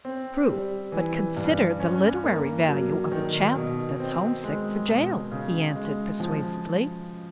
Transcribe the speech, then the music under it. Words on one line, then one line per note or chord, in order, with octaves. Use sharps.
"True--but consider the literary value of a chap that's homesick for jail," he answered, persuasively.
C4
G3
E3
G2
C#4
A#3
F#3
D#3
B2
C4
G#3
B2
C#3
G#3
F3